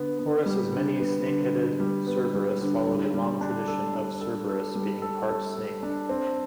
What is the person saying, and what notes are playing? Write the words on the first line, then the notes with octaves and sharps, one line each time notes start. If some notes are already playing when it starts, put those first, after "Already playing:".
Horace's many snake-headed Cerberus followed a long tradition of Cerberus being part snake.
Already playing: D3 B3
B3
G3
D3
B3
D3
D3
G3
B3
G3
D3
G3
G3
D4
A4
D4
A4
A4
G3
A4
A4
A4
D4
C4